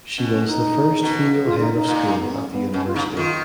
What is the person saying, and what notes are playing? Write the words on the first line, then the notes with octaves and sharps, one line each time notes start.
She was the first female Head of School at the university.
B2 C#4
C#4
D#4
B2
F4
D#4
D#4
A#2
B3
C#4
B3
B2 C#4
F4
C#3 D#4
D#3 F4